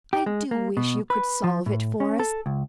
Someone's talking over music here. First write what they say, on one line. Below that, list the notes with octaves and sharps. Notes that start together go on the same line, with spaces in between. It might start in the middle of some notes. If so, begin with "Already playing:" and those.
I do wish you could solve it for us.
G4
G#3
A#3
B2
B4
F3
A2
C#4
A4
C#2